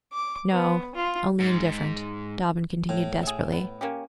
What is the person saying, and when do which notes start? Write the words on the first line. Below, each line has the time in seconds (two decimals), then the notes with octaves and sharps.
"No, only indifferent," Dobbin continued desperately.
0.13 D6
0.52 B3
0.95 F4
1.40 G#2
2.89 A2
3.23 G#4 E5
3.52 B3
3.81 A#3 C#4 G4